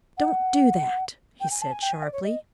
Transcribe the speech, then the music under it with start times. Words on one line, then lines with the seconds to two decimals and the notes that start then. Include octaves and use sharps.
"Don't do that!" he said sharply.
0.18 F#5
1.40 G5
1.51 G#5
1.62 A5
1.72 G#5
1.82 G5
1.92 G#5
2.03 D5
2.13 C#5
2.24 D#5